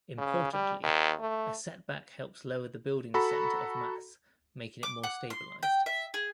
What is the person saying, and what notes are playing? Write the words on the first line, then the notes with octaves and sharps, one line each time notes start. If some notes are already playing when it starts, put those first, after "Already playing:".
Importantly, a setback helps lower the building center of mass, making it more stabilized.
C#3
G3
D#2
A3
F#4 A4 A#5 B5
D6
F#5
C6
G5
E5
G#4